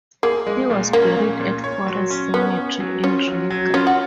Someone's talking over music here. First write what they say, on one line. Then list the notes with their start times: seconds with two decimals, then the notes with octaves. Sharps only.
He was buried at Forest Cemetery in Riga.
0.23 A#3 G#4
0.47 G#3
0.70 A#2
0.93 A#3 C#4
1.17 A#2
1.40 A#2
1.64 C#5
1.86 F#3
2.10 C#4
2.34 B3 C#4
2.57 C#4
2.80 F#3
3.04 C#4 F4
3.28 F#3
3.51 F#3
3.74 C#4 F4
3.87 F#4